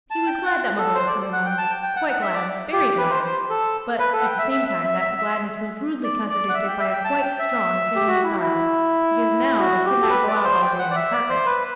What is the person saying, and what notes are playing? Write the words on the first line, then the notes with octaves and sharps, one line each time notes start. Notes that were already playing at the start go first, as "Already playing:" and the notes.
He was glad that mother was coming home--quite glad, very glad; but at the same time that gladness was rudely contradicted by a quite strong feeling of sorrow, because now they could not go out all day on the carpet.
A5
G5
F#5
A4
C5
D5
F#5
G5
A5
G5
G5
F#5
F#5
E5
D5
G4
B4
C5
C5
A4
B4
A4
F#5
G5
E5
E5
E5
E5
E5
E5
D5
D5
F#5
E5
G5
E5
G5
A5
G5
E5
G4
F#4
E4
E4
F#4
G4
A4
B4
D5
C5
G5
F#5
D5
E5
D5
C5
B4